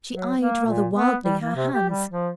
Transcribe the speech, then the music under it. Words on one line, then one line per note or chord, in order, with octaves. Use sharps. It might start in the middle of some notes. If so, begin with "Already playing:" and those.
She eyed rather wildly her hands.
F#3
A#3
A#2
B3
G3
A#3
C3
G4
G3
F3